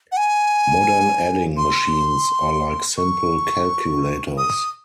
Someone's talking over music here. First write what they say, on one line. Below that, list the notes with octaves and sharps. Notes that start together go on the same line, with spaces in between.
Modern adding machines are like simple calculators.
F#5
G#5
C6
C#6
D#6